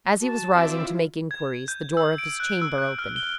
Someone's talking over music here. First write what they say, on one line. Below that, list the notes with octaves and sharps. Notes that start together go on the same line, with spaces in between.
As he was rising to make inquiries, the door of his chamber opened.
F#4 A5
C4 E4 F4 D5 E5
G#6
G6
E6
D7
F#6
E6
F#6
F6
G7